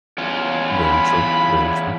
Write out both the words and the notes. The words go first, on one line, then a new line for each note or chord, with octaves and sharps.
Very true. Very true.
E2 C#4 F4
B5